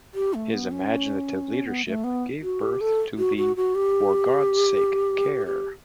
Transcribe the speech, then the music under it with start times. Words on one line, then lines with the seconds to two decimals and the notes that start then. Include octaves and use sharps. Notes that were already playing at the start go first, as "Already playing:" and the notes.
His imaginative leadership gave birth to the 'For God's Sake Care!
0.14 G4
0.34 A3
0.53 B3
0.71 C#4
1.67 B3
1.85 A3
2.04 B3
2.42 F#4
2.61 G4
2.81 A4
3.18 F#4
3.37 F#4
3.56 F#4
3.75 G4
5.46 G4